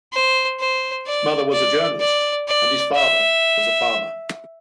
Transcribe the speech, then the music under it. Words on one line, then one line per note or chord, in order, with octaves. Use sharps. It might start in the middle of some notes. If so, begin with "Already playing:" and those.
His mother was a journalist and his father was a farmer.
C5
C5
D5
D5
D5
D5
E5